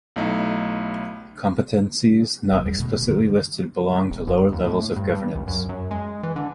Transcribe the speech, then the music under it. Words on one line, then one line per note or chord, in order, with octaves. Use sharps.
Competences not explicitly listed belong to lower levels of governance.
B1 A3 D#4 E4
F#1 F#2
D#2 G3 G#3
D1 D2 B2
B2
F#2 D3 D#3
E1
F#2
D#2
A2
G2
G2
C#2
F#2
F#2
G#3
E3
D3